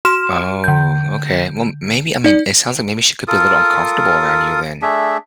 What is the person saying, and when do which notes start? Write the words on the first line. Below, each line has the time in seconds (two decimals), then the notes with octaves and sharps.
Oh, okay. Well, maybe I mean, it sounds like maybe she could be a little uncomfortable around you then.
0.05 F#4 C6 F6 E7
0.64 D3 G6
2.24 D#4 D5
3.28 F4 A4 A#4 D#6
4.82 A3 D4 G#4 E5